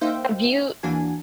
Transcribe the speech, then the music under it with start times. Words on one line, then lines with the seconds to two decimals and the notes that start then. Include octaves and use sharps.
Have you
0.01 A#3 D#4 C5 E5 F5 G5
0.83 D#2 E3 A#3 D4 F#4 G#5